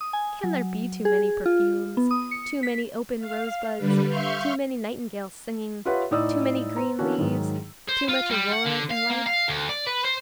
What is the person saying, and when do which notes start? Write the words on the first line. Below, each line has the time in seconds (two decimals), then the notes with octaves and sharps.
Can there be too many perfumes, too many open rose-buds, too many nightingales singing, too many green leaves, too much aurora in life?
0.01 D#6
0.13 G#5
0.44 F#3
1.05 G#4
1.46 F4
1.97 B3
2.11 D#6
2.31 C#7
2.63 B6
3.20 F5
3.77 D3 G3 B4
4.08 E5 F5 C6 C#6 F6 G6
5.85 F4 G4 B4 C#5 E5 F#5
6.11 A2 D#4 D5 D#6 E6
6.76 C5 A#5
6.99 E3 A#3 C#4 D4 F#4
7.18 G#2 D#3 F#3
7.89 C5
8.09 F4
8.31 G3
8.53 F#5
8.66 D3
8.91 F5
9.11 A#3
9.27 F5
9.48 D2
9.69 D5
9.86 B4
10.05 C5